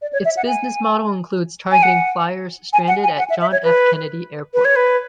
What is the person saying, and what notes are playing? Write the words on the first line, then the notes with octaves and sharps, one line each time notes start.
Its business model includes targeting flyers stranded at John F. Kennedy Airport.
D5
C#5
E5
F#5
G#5
G#5
F#5
G#5
F#5
G#5
F#5
E5
E5
C#5
B4
B4
C#5
B4